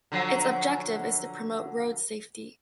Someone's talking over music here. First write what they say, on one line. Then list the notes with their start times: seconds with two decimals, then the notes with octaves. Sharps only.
Its objective is to promote road safety.
0.12 D3 F3 F#3